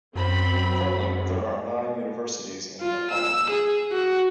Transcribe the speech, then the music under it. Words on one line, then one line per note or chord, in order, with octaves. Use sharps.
Currently there are nine universities in Nepal.
F#2 C4 B5
F4
E6
G#4
F#4